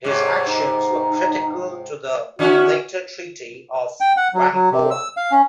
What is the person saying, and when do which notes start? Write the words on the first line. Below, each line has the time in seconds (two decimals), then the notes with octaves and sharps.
His actions were critical to the later Treaty of Whampoa.
0.05 G#2 C3 C#5
0.47 D#4
2.39 D3 C#4 E4 F#4
4.01 G5
4.17 F#5
4.34 F#3
4.54 F#3
4.72 C3
4.91 E6
5.17 F5
5.32 C#4